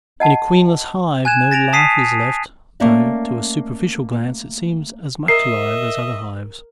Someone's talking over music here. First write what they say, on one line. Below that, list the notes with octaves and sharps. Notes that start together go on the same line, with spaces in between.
In a queenless hive no life is left though to a superficial glance it seems as much alive as other hives.
D#5 F#5 A5
G#5 F#6 G#6 E7
A6 A#6 D7 F7
A5 D#6 B6 C7 D#7
A3 A#3 C#4 D5 D#5
A#4 D#5 E5 C7